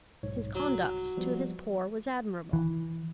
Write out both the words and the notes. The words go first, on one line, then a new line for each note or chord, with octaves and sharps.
His conduct to his poor was admirable.
B1 G#2 C#5
C2 F#3
F3 G3 B3
E3